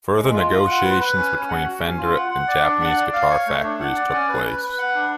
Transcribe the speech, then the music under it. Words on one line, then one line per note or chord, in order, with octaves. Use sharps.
Further negotiations between Fender and Japanese guitar factories took place.
G#3
F4
F4
F#5
B4
B4
C#4
C#4
F#5
F#4
C#4
F4
F#5
F#5
D5
D4
F#5
D5
F5
C#5
A3
D4
F#5
D5
C#4
B4
B4
B4
F#5
D4